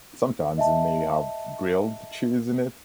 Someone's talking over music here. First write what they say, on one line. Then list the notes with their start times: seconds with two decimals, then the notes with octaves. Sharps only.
Sometimes, it may have grilled cheese in it.
0.58 D#5 E5 A5